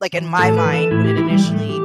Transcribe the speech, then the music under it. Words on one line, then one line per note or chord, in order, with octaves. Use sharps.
like, in my mind, when it initially
E3
A2 A4
B4
E3
A4
A2 E4
G4
E3 E4
G3
A2 A3
E3 G4